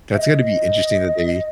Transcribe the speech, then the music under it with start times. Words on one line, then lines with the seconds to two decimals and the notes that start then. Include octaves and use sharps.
That's gonna be interesting that they
0.13 E5
0.18 D#5